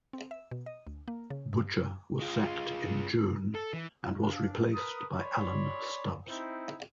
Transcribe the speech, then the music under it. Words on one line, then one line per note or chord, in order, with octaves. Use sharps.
Butcher was sacked in June and was replaced by Alan Stubbs.
C4
E5
B2
D#5
D2
A#3
C#3
G2
G#3 F4
A4
E3
D4 F5
A#4 B4 D#6
C#5 D5 B5 C6
C4 D#4 E4 C5